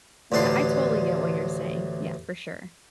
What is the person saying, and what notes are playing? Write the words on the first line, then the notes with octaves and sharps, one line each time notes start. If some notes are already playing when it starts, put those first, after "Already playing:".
Yeah, I totally get what you're saying. Yeah, for sure.
A1 D2 D4 C6